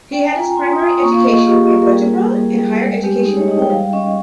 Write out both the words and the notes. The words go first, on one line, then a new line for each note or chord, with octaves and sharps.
He had his primary education in Bijapur and higher education in Pune.
C#4 G5
G#5
F4 A#5
F4 C6
D#6
F4
D#6
A#3 C#6
F5
A#3 D#5
G#4
F4 G4
A#3
A#4
G3 G#4
G3
G3 G#4
G3 G#4
G#3
G#3 G4
D#4 G#4
C#5
D#4 D#5
G5
G3 F5
C#4 D#5